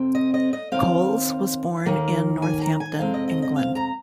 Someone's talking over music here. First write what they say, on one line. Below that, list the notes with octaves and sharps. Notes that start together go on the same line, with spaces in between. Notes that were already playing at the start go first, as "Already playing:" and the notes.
Coles was born in Northampton, England.
Already playing: F2 C3 C4
D#5
D#5
D#5
D#2 D#3 C4 F5
D#2 D#3 A#3
G#5
A#5
G#5
F2 C3 G#3 C4 F5
D#5
D#5
D#5
F5
A#5